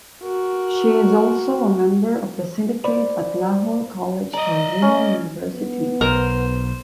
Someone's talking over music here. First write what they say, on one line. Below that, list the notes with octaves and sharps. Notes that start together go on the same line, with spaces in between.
She is also a member of the Syndicate at Lahore College for Women University.
F#4 A#4
C5 D5 B5
D5 D#5 A#5
C#4
B3
B1 A#4 C5